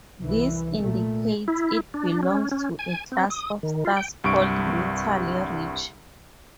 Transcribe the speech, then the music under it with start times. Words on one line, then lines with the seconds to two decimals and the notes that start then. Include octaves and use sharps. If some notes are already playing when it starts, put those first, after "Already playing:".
This indicates it belongs to a class of stars called metal-rich.
0.20 C2 E3
0.79 A#2 A3
1.48 E4
1.94 D4
2.23 C#4
2.51 C#4
2.79 G#5
3.12 C4
3.30 D#6
3.63 D#3
3.85 F4
3.97 G5
4.24 C2 G2 C#6 D7